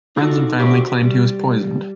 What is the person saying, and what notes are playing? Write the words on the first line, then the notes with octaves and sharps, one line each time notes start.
Friends and family claimed he was poisoned.
D4 D#4 F4 F#4 A4 D5
F#4 G4 C5 D5 E5
G3